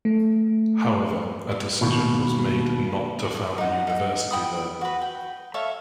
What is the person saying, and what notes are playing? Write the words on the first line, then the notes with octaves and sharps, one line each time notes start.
However, a decision was made not to found the university there.
A3
D#2 B2
D#4 F#5
D#4 F#5
G5 B5 D#6
F#4 B4
G5
A4 C#5 E5 F5